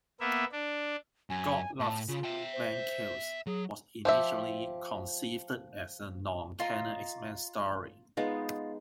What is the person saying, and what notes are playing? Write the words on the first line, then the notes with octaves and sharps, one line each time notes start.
"God Loves, Man Kills" was initially conceived as a non-canon X-Men story.
A#3 B3 E5
D4
F#2 G#5
A2 A5
C#3 F4
E5 G5
C5
F#3 G#4
F3 G4 E5
F4 D#5 A#5 C6
G#3 B3 D#4 F4